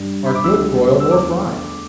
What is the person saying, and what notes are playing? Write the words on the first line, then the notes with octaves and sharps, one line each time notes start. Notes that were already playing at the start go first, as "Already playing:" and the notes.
Are good, broiled or fried.
Already playing: G2 G3
B5
D6
D2 D3 G3 E6
E6
E2 D3 A3 D6